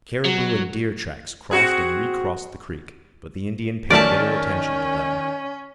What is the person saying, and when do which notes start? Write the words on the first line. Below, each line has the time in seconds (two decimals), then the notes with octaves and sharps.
Caribou and deer tracks crossed and recrossed the creek, but the Indian paid little attention to them.
0.25 F#3
1.51 C4 F#4 G#4
3.90 D#3 F#3 A3 C#4 D5 A5 F6 B6